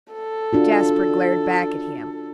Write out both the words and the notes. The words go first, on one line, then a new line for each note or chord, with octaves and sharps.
Jasper glared back at him.
A4
D4 F4 F#4